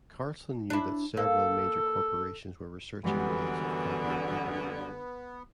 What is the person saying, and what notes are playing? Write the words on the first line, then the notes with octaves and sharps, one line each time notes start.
Carlson knew that several major corporations were researching ways of copying paper.
D4 E4
A#3 A4
F#2 D3 E3 G3 G#3 B3